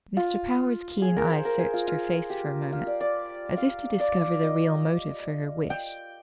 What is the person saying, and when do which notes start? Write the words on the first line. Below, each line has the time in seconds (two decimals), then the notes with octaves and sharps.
Mr. Power's keen eye searched her face for a moment, as if to discover the real motive for her wish.
0.17 F4
1.02 G#4
1.16 A#4
1.30 C5
1.45 A#4
1.59 G#4
1.73 F4
1.87 F4
2.30 G4
2.72 F4
2.87 D5
3.01 D5
3.57 F5
4.00 D5
4.43 D#5
5.70 G5